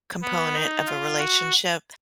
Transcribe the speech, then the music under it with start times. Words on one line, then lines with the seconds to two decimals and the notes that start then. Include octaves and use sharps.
component of a relationship,
0.22 B3
0.54 D#4
0.87 F4
1.19 F#4